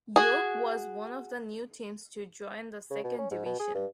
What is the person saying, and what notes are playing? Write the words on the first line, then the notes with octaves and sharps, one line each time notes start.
York was one of the new teams to join the second division.
F#4 G#4
C#3
B2
C#4
G#2
B2
G#4
G2